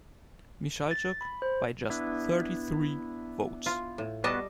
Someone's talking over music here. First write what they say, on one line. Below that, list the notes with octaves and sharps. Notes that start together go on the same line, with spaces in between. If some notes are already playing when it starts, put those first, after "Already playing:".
Michalchuk by just thirty-three votes.
A6
B5
C5
B3 D4 E4
F4
A2
G3 B3 F#4 D#5 A5